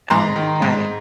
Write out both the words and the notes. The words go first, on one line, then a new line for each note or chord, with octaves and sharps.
Oh, got it,
G#2 A#5 C6
D#3
G#2